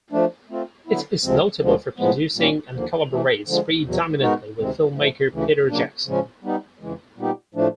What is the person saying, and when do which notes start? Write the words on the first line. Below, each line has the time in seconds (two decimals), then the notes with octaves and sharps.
It is notable for producing and collaborates predominantly with filmmaker Peter Jackson.
0.12 F3 A3 D4
0.50 A3 C4 F4
0.87 D3 F#3 B3 E4
1.23 D2 C3 F3 G#3 C4
1.61 D2 D3 F3 G#3
1.98 A2 F3 G#3 B3
2.35 A#2 G3 A#3 C#4
2.72 D#2 D3 F3 A#3
3.09 C3 E3 A3
3.46 D3 F3 G#3
3.83 E2 B2 F#3
4.20 G#3 B3 D#4 F#4 A#4
4.58 D2 C3 D#3 G#3 C4
4.95 G#2 F3 A3
5.31 D2 C#3 E3 A3
5.69 C#3 F#3 A#3 D4
6.06 C#3 F3 G#3 C#4
6.43 G3 B3 D#4
6.80 F2 C#3 E3 G#3
7.17 A#2 G3 B3 D#4 G4
7.54 A2 F3 A3 D4